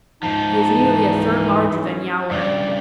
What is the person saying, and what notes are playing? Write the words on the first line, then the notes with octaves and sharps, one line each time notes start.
He is nearly a third larger than Yowler.
G#2 F3 D#4 A5
E3
C#4
G2 C#3 D5